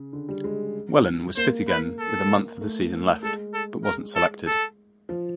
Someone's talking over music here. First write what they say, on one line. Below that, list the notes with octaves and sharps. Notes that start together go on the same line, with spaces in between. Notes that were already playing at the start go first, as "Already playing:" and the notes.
Whelan was fit again with a month of the season left, but wasn't selected.
Already playing: C#3
D3
G3
G#3
A#3 C5
B4
A4
A3
G#3 A4
A4
A#4
A4
A4
F3